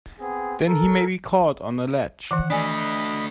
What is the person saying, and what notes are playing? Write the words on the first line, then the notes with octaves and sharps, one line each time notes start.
Then he may be caught on a ledge!
B3 C4 G#4
A4 A#4 A#5
D#3 E3 F#5
A3 D4 D5 D#5 G#5 B5